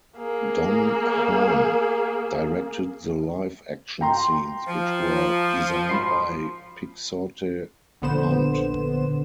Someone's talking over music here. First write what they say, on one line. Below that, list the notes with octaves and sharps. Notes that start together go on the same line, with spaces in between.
Don Hahn directed the live action scenes which were designed by Pixote Hunt.
A#3 G#4
G5 A#5 C6
F3
B5 C6 C7
A#1 D3 B3 C5 E7